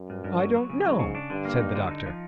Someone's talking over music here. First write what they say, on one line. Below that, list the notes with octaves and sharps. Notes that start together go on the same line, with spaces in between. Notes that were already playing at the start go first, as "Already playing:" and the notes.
"I don't know," said the doctor.
Already playing: F#2
G2
G2
F#3
F#3
C#3
G#2 F#3
C#3
D4
G2 D3
A#3
D#4
D3
D#4
F3